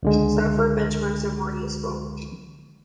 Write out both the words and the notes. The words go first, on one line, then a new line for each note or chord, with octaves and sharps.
Software benchmarks are more useful.
C#2 D3 G#3